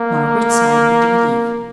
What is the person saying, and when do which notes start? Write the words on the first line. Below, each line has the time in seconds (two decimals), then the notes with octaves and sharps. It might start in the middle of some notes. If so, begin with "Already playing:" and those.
Margaret sighed with relief.
Already playing: A#3